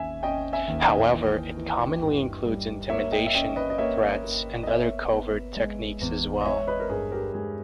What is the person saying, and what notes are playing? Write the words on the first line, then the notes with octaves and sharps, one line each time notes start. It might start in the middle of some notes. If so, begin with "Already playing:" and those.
However, it commonly includes intimidation, threats, and other covert techniques as well.
Already playing: D#2 C#4 E5 G#5
C#4 D#5 G5
E5 G#5
D#2
D#5 G5
E3
E3
G2
G3
A#3 C#5 E5
D#5 G5
E5
C#4 D#5 G5
B4 D#5
D#5
A#3 C#5 E5
A#3
D#5
B3 C#5 E5
B3
G#3
E2
D#5
G#3 C#5 E5
B4 D#5
A#4
G2 G#4 B4
G4 A#4
G#3 G#4